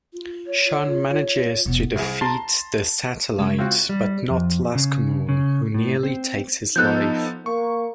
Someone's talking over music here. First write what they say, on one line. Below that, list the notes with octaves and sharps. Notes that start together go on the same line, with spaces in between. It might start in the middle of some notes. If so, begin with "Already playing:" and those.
Shun manages to defeat the Satellites, but not Lascomoune, who nearly takes his life.
F4
C#5
E1 B3
C2 G#4
A5 A#5 C6
C#3 G#3
C4 F4 F#4
G3
F2
C#3
C#3
A2
C4
F3 B3 D#4 A4 F#6 G6
A#3 C#6